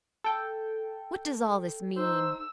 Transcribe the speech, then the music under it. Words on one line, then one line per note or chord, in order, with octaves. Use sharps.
"What does all this mean?"
A4 G5
D#4 C5 E6